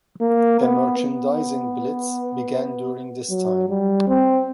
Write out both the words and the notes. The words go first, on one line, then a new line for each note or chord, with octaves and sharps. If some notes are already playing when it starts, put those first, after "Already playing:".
A merchandising blitz began during this time.
A#3
B3
B3
F#3
G3
C4